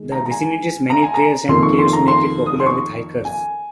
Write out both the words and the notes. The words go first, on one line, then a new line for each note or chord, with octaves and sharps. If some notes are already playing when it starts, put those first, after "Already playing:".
The vicinity's many trails and caves make it popular with hikers.
Already playing: D#3 G#3
A#5
A#5
G#5
A#5
G#5
A#5
F2 D#3 A#3 C6
C#6
C6
A#5
C6
D#6
C6
C#6
G#5